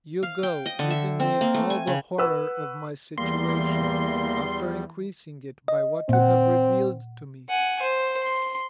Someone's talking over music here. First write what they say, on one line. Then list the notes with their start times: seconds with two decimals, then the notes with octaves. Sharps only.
You go, leaving me in all the horror of my situation, after increasing it by what you have revealed to me.
0.23 F5
0.43 G5
0.66 D#5
0.79 D3
0.90 E5
1.20 C4
1.41 A#3
1.54 A3
1.70 G#5
1.87 C#3
2.18 B4 F#5 C#6 E6
3.18 E2 E3 G3 A#3 C6
5.68 D#5
6.09 A#2 C4 F#5
7.49 F#5 G#5
7.82 C5
8.23 C6